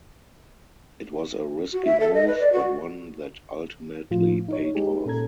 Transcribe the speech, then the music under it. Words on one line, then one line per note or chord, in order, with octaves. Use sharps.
It was a risky move, but one that ultimately paid off.
F#4
E5
A4
D#5
B4
D5
F#4
A2 F3 F4
D#4 C#5
G#3 D#4 G4 G#4
A#2 C#4 A4 A#5 G#6